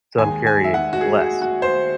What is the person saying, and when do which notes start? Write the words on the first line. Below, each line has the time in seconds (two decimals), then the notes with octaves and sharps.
so I'm carrying less,
0.18 D#2 D#3 G#3 G#5
0.47 G#5
0.64 E5
0.74 F#5
0.93 F#4
1.01 G#4
1.21 F#4
1.42 F#4
1.62 C5